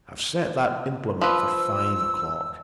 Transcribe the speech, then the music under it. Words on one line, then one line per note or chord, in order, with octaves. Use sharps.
I've set that implement for five o'clock.
F3 B4 E6